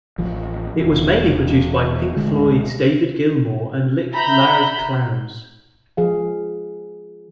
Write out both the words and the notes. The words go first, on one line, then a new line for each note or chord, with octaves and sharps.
It was mainly produced by Pink Floyd's David Gilmour and Nick Laird-Clowes.
A1 F3
E1 E3
D1 D2 D3 G#3
E5 A#5 B5 G6
F3 G#4 F5